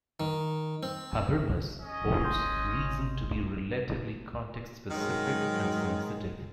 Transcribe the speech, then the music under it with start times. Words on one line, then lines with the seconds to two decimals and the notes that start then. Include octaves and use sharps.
Habermas holds reason to be relatively context specific and sensitive.
0.20 D#3
0.83 C4
1.80 C#4 D#5
2.24 G#1 C6 G6
4.90 G#2 D#3 F#3 G#3